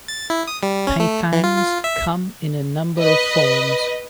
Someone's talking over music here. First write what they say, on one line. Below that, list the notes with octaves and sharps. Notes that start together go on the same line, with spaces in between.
Paifangs come in a number of forms.
A6
E4
D#6
G3
C#4
A3
E3
F4
F4
E5
B4 D#5